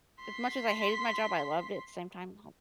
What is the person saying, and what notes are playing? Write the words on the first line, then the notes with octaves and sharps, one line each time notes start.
as much as I hated my job, I loved it same time, now.
C6 B6